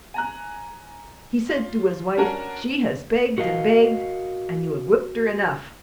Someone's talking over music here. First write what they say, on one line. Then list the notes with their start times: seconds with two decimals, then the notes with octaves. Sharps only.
He said to his wife she has begged and begged and you have whipped her enough.
0.14 G#5 A#5 F#6
1.49 F4
2.17 C#4 D4 F#4 A#4 A5
3.38 F#4 A#4 D#5 F5